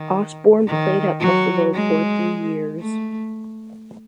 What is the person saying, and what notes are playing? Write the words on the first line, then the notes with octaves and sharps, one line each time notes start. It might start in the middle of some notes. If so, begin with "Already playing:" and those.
Osborn played at Buffalo for three years.
Already playing: D#3
D#3
F#3
G#3
A3